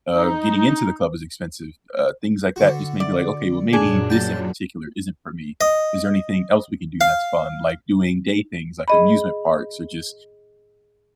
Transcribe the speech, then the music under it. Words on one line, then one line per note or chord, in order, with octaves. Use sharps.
uh, getting into the club is expensive, uh, things like that just may be, like, okay, well maybe this in particular isn't for me. Is there anything else we can do that's fun, like, doing day things like amusement parks or just
D#4
D3 F#4
D5
F#2 A#2 F#3 D4 G#4
G5 A5
D#5
F5
G#4 D#5 B5